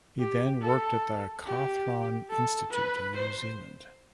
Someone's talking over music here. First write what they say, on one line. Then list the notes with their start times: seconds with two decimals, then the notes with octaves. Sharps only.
He then worked at the Cawthron Institute in New Zealand.
0.20 G4
0.62 A4
1.46 G4
2.30 A4
2.71 B4
3.14 C5